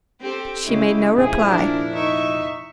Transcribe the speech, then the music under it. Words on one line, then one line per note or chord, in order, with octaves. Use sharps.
She made no reply.
C4 G4 A4
C#3 G#3 E4 G4
F1 A#2 F3 E4 G#4
D4 A#4
D#4 E5 C#6